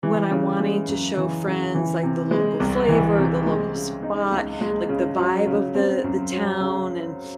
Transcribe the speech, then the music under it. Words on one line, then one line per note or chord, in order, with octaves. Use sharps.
when I'm wanting to show friends like the local flavor, the local spot, like the vibe of the the town and,
E3
C#3
G#3
F#2
E3
C#3
E3
C3
G#3
C2
E3
C3
G#3
C#3
D#4
C#2
G#3
C#3
F#3
C#3
C4
F#2
F#3
C#3